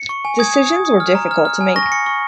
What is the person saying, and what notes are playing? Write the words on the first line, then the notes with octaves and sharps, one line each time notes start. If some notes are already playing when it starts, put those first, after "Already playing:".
Decisions were difficult to make.
Already playing: C#7
C#6
G#5
D#6 G#6
D#6
D#6
D#6
F6
A#5
F6
F6
G#5
C#6 A#6
G#5 C#7
C#6